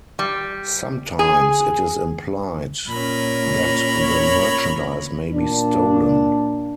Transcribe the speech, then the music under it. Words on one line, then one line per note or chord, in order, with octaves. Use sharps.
Sometimes, it is implied that the merchandise may be stolen.
G3
G#4
A#2 C#4 A#4 B5
C#5
A#2 D4